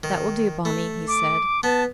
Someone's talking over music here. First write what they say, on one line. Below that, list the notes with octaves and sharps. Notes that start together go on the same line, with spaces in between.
"That will do Bonni," he said.
D#3
A3
D6
B3 A5